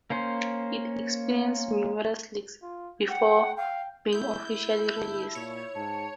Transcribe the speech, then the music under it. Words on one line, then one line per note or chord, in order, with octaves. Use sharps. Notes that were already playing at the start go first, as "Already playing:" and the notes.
It experienced numerous leaks before being officially released.
A#3 C#4 C5
F4
F#5 G5
F5 G5
E4 G6
G1 A5
A#2 C#5
G#2 A5